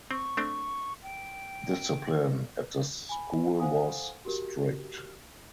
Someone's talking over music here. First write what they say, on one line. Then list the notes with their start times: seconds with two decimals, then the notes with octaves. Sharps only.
Discipline at the school was strict.
0.11 C4 C#6
0.37 A3 C4 D4
1.03 G5
3.09 G#5 B5
3.60 A4 C5 F5 F#5 G#5 D#6
4.25 F#4 G4 A#4